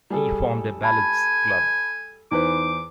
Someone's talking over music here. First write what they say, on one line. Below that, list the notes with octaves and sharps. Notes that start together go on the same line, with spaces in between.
He formed a Ballads Club.
G3 G#4 A4
G#5 A5 B5
E2 D#4 B4 C5 D6